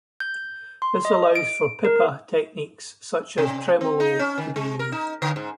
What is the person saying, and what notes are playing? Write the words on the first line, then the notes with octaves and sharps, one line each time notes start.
This allows for "pipa" techniques such as tremolo to be used.
G6
C6
D#5
D7
A#4
C3
C4
D#4
C#4
D#3
G#3
A#4
D#4
D3
G#2